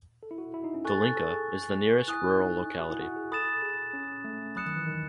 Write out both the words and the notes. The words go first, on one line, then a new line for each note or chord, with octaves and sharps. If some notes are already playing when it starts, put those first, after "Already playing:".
Dolinka is the nearest rural locality.
A4
E4
F#4
E4
D#4
C#4
A4 G#5 C#6 F#6 A6
A4
G#4
E4 G#5 D#6 F#6
D#4
F#4
E4
F#4
G#4
A4 B5 D#6 A6 E7
G#4
C#4
A3
F#3 B5 D#6 F#6 C#7 E7
D#3
E3
D#3